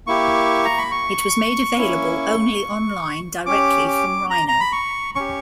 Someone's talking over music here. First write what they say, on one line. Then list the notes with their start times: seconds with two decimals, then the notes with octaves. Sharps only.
It was made available only online directly from Rhino.
0.07 A#3 E4 G4 C#6
0.65 A#5
0.78 B5
0.91 C#6
1.76 A#3 C#4 E4
3.46 C#4 G4 D6
3.88 D6
4.30 A#5
4.48 A#5
4.60 B5
4.72 C#6
5.15 C#4 G4 C#6